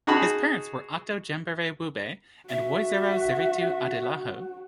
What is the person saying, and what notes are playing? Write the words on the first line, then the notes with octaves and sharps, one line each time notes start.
His parents were Ato Jenbere Wube and Woizero Zeritu Adelahu.
D#4 F#4 G#4 A5 B5
F#4 E5